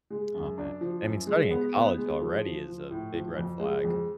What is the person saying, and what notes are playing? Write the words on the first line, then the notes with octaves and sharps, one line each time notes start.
Oh, man. And, I mean, starting in college already is a big red flag.
G#3
F#2
D4
F3
F#2
G#3
B3
B3
G#3
F3
F3
F3
A2
F3
F2
G#3
F2